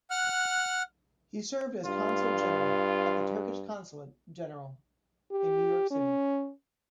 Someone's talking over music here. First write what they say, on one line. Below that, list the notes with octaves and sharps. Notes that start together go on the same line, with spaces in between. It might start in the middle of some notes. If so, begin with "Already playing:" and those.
He served as Consul General at the Turkish Consulate General in New York City.
F#5 F6 F#6
G2 F4
G4
C#4